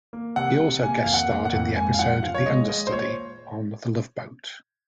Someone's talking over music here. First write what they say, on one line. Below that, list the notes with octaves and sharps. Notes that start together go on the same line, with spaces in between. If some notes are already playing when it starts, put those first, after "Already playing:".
He also guest-starred in the episode "The Understudy" on "The Love Boat".
A#3
C3 F#5
C3
A#3 G#5
F2 F5
F#5
A#3
F#5
F2
G#2 G#5
F5
F3 F#5
F3 F5
C#5
G#3 D#5
G#3 D#5
C5
A#2 C#5